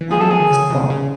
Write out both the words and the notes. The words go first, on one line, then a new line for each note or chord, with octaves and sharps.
uh, so
E3
F3 G#4
F#3 A4
F3 G#4
D#3
C#3
C3
C#3